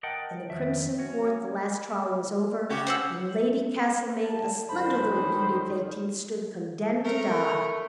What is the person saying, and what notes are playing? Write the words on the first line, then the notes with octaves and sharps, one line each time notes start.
In the crimson court the last trial was over, and Lady Castlemaine, a slender little beauty of eighteen stood condemned to die.
A#4 D#5 F#5 G5 A5
F2 D#3 E5
C#4 F#4
C#3 F#4 G4
C5 F#5 E6
A5
F#2 D3 D#3 C5 B5
A3 A#4